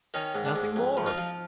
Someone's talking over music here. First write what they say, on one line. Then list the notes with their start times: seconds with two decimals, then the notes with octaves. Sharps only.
Nothing more.
0.14 D#3 C#4 D#4
0.35 G#2
0.45 D4
0.56 G#2
0.76 F2
0.97 F3
1.06 D#4 F4
1.18 F3